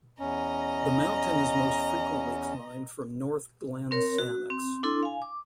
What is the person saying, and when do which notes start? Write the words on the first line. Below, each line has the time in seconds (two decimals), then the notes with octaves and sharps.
The mountain is most frequently climbed from North Glenn Sannox.
0.20 E2 C#4 D#5 A#5
3.91 C4 A#4 C#5
4.18 F#4
4.50 C4
4.83 D4 E4 A4 C6
5.03 F5 G#5
5.22 D6